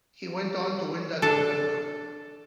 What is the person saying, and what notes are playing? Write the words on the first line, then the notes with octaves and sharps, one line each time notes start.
He went on to win that November.
D4 A4